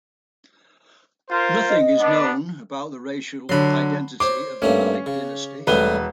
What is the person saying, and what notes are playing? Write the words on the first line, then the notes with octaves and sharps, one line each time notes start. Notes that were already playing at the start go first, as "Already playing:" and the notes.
Nothing is known about the racial identity of the Malik dynasty.
F4 A#4 C5
D#5
B3 D4
D3 F#3 B5 C6
C5 C#5 C6 D6
G2 A3 A#3 C#4
C#3
E1 G3 A3 C#4 B4 G7